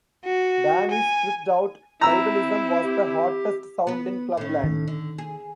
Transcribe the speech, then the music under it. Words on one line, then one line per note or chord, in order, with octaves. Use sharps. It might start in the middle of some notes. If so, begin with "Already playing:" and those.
Danny's tripped out tribalism was the hottest sound in clubland.
F#4
G#5
C4 E4 A#5 E6
G4
B3 B4
A2 C#4
D#3
D3
G#4